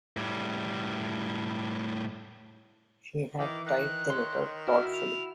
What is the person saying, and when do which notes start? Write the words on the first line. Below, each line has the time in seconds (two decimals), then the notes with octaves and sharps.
He had typed the letter thoughtfully.
0.17 A2 G3
3.39 D#3 E3 D6
3.66 D#3 F#6
4.10 C#5 C6
4.68 E4 F#4 F6
4.93 F7